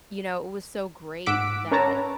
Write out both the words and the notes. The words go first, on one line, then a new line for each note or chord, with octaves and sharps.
you know, it was so great that
G#2 F#5 D6 E6 B6 D7
C#4 A#4 B4 C#5 A5 A#5